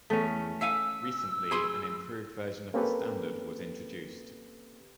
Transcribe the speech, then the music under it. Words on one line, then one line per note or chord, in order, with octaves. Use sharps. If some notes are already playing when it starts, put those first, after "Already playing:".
Recently an improved version of the standard was introduced.
E2 A3 C#4
E5 F5 G#5 E6
G#4 B5 C6
A#3 C4 C#4 G4 A4 B4